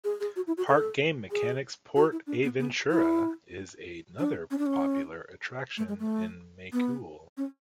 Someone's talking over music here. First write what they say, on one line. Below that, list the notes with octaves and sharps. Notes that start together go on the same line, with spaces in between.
Park Game Mechanics Port Aventura is another popular attraction in Macul.
G#4
G#4
F#4
E4
F#4
A4
G#4
F#4
E4
D4
B3
B3
E4
D4
C#4
D4
C#4
A3
G#3
A3
B3
C#4